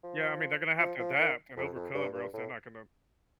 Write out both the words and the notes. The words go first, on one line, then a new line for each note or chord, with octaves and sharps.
Yeah, I mean, they're gonna have to adapt and overcome or else they're not gonna
F3
F3
F3
D#3
F2
F2
G2
G2
A2